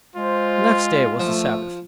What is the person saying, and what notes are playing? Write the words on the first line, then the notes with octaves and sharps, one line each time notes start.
The next day was the Sabbath.
G#3 F4 C5
F3 A3